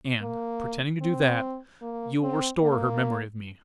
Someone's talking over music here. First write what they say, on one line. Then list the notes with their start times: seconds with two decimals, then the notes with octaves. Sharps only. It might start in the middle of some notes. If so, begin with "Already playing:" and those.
"And, pretending to do that, you will restore her memory of me."
0.21 A#3
1.01 C4
1.82 A#3
2.22 C4
2.62 A#3